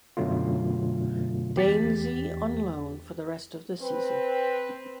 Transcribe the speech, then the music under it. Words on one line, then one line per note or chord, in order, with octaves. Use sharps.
Deinze on loan for the rest of the season.
F#2 B2 D3 F#3 A3 F4
E2 G4 A6 B6
C4 B4